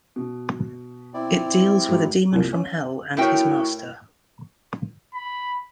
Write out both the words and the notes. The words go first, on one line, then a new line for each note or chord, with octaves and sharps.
It deals with a demon from Hell and his master.
B2
C4 E4 D5
G#2 F#3
C2 A#2
C#4
A2 E4 F#4 A#4 C#5 G5
B5